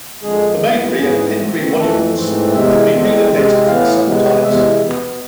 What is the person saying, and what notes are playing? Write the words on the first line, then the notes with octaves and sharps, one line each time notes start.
The Maybury and Pingree monuments have been relocated several times.
F2 D3 G#3 G#4
F2 E3 B3
G#2 E3 B3 G#4
B2 A3 C4
F2 E3 A3 A4
G#2 E3 A3 C4
E2 C3 G#3 E5
E2 D3 G#3 C4
C3 G#3 C4
A2 E3 B3 F5
C3 G#3 B3
E2 C3 G#3 E5
B2 B3